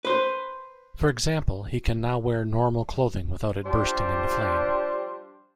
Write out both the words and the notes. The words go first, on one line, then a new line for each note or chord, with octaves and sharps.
For example, he can now wear normal clothing without it bursting into flame.
B4 C5
F3 G3 D4 G4 C5